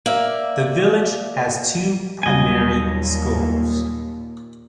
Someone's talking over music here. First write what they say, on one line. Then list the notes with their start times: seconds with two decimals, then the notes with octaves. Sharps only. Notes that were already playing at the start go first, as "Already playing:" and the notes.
The village has two primary schools.
0.06 A#3 D5 E5
2.23 D#2 A#2 F#3 G3 D#5 G#5